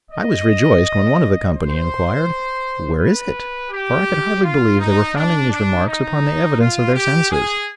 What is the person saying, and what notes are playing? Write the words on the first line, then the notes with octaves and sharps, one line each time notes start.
I was rejoiced when one of the company inquired, "Where is it?" for I could hardly believe they were founding these remarks upon the evidence of their senses.
D#5
C5
B4
G4
F4
D#4
D4
D4
D#4
F4
G4
G#4